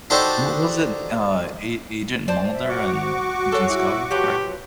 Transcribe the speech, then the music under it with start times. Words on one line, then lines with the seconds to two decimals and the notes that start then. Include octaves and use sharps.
What was it, uh, A Agent Mulder and Agent Scully, right?
0.10 D4 D#4 F#4 G4 A4 C5
2.28 C5 D5 A5
2.55 E5
2.69 F#4 C#6 D6
3.52 G#4 A4 C#5
3.69 E4
4.11 F3 F#3 G4 B4